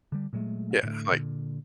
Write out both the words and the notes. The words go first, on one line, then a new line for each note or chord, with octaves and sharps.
Yeah, like
D3 G3
A#2 F#3 G#3 A3
A2 D3 A3
A#2 D3